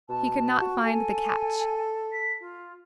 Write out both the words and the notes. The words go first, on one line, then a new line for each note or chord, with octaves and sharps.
He could not find the catch.
B2 A5
F#4
A4 G#5
B6
F4